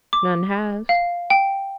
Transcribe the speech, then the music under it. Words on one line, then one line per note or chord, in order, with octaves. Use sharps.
"None has."
D6
F5
G5